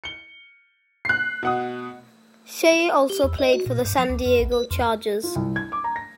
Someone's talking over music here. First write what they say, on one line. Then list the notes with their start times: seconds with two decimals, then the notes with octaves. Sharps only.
Shea also played for the San Diego Chargers.
0.04 C#7 G7
1.05 F#6 C7
1.43 B2 F#5 D#6
3.10 G4
3.24 E2
3.39 D#5
3.54 F#4
3.66 A#2
3.85 G2
3.98 F3
4.09 D2
4.26 F2
4.40 B1
4.52 B4
4.71 F2
5.23 F4
5.36 C2
5.56 G#6
5.72 D6
5.84 A#5
5.96 A#6